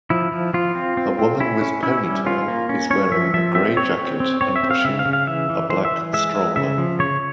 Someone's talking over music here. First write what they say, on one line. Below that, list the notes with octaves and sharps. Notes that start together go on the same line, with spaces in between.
A woman with ponytail is wearing a gray jacket and pushing a black stroller.
F3 E4
F3
F3 F4
C4
C4
C4
C#4 E4
C#4
C#4 E4
G3
C#4 F4
A#3
C#4
C#4 C#5
F3 E5
F3 E5
C4 E5
C4 C#5
C4
C4
C4 C#5
E5
C4
F5
C#3 E5
F5
C#3
F5
E3 E5
E3
E3 C5
E5
E3
G#3 E5
G#3
C#3 E5
F3
C#3 C#5